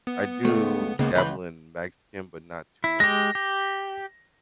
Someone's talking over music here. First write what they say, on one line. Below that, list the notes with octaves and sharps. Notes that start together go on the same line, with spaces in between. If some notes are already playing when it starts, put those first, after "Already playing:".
I do dabble in Mexican, but not too much.
B3
C#2 A3
C#2 C#3 A#3 B3
C#2 E3 B5 G6
E4
G#3 G4 A#6
G4